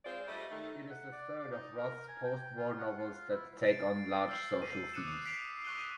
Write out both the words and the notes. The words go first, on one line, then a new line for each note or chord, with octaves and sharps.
It is the third of Roth's postwar novels that take on large social themes.
G#3 C4 F4 G#4 C5 D5
G3 A3 D#5
D#3 A3
F#5
D5
D5
D#4
A#4
G#5
G5
F4
F#5
F4
E4
A6 C7 D7
E6 F6 G6 C7
D#7
D6 D#6 F#6 C#7 D#7 E7
F#6 B6 C7 D7 F7
C#6 D#6 F#6 D#7 G7